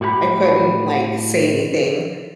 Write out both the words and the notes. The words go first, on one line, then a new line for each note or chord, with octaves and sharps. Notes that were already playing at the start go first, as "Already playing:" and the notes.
I couldn't, like, say anything.
A2 F#4 G4 F#5 B5